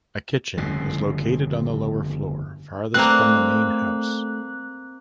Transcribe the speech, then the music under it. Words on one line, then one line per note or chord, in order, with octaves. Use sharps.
A kitchen is located on the lower floor farthest from the main house.
G1 F2 A2 C#3
A3 A#3 C4 B4 D5 F#6